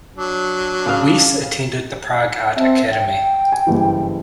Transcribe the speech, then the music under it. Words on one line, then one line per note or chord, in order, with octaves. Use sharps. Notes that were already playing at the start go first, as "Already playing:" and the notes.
Weiss attended the Prague Art Academy.
F#3 D4
C#3 F5
C4 E5 A5
G5
G#5
F#1 G2 E3